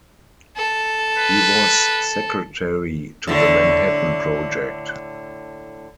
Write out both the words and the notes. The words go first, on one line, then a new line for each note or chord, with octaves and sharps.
He was Secretary to the Manhattan Project.
A4
B4
A2 D3